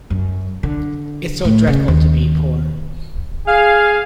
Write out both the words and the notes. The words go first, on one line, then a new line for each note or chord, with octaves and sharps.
It's so dreadful to be poor!
F#2
D3
A2
C#3
D#2
G#4 F5